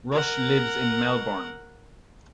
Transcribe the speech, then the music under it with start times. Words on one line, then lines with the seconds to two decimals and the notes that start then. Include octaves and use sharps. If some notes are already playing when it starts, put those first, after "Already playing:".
Rush lives in Melbourne.
0.12 A#4 F#5